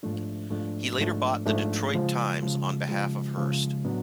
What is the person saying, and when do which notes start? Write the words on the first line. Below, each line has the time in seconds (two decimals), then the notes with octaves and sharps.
He later bought the "Detroit Times" on behalf of Hearst.
0.03 G#2 F3 A3 D4
0.50 G#2 F3 A3 D4
0.99 G#2 F3 A3 D4
1.46 G#2 F3 A3 D4
1.94 C#3 F3 G#3
2.42 C#3 F3 G#3
2.89 C#3 F3 G#3
3.37 C#3 F3 G#3
3.85 A2 F#3 B3 D4